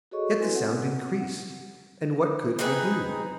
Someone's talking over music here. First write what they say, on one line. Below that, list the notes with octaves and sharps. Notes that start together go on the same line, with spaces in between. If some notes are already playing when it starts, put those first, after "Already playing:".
Yet the sound increased--and what could I do?
F#4 G#4 A4 C#5 D#5 C#6
E4 F#4 A4 B4 G#5 C6
C4 F#5
C4 D#4 G#4 B4